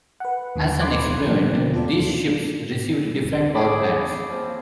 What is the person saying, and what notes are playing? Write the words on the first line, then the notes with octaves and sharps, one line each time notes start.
As an experiment, these ships received different powerplants.
B4 F#5
D#2 D3 D#3
B5 C6 D6 F#6 G#6
D3 F3 G3 A#3 D4
B2 D3 A#3 C4
D#2 F4 A4 D5
G#4 C#5 B5 D6
F3 A#3 C4